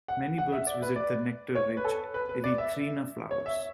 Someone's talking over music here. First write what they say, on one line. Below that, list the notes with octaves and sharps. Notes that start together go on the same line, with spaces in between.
Many birds visit the nectar-rich "Erythrina" flowers.
F#5
F#5
E5
D5
B4
D5
C#5
B4
A4
B4
B4
D5
E5
C#5
E5